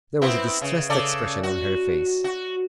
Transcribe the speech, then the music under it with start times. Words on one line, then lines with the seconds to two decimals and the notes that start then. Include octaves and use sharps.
There was a distressed expression on her face.
0.22 B3 C4 E4
0.61 C#3
0.90 C#3 A4 D5
1.43 F#4
2.24 F#4